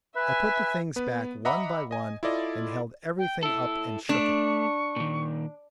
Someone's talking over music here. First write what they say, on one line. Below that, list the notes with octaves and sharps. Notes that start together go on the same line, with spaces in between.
I put the things back one by one, and held everything up and shook it.
B4 E5 G#5
B3 B4
D#5 E5 F#5 A#5 B5 D6
D#5 G#5
E4 F4 A4 D5 D#5
G5
E4 A4 E6
A3 D4 C#6
A#2 D#3